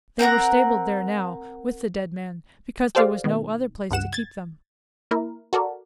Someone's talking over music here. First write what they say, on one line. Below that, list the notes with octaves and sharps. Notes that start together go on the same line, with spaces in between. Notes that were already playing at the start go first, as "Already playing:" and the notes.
They were stabled there now, with the dead man, because there was no other place to keep them.
C4 A#4 F#5 A#5
G4 A4 C5 D5 F5
B2 D#3
C#2 G2 F#5 E7
G#6 A6
A#3 E4 A#4
F#4 A4 A#4 D5